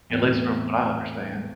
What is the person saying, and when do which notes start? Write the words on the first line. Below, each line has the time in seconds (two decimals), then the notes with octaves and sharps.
at least from what I understand.
0.10 E2 A2 C4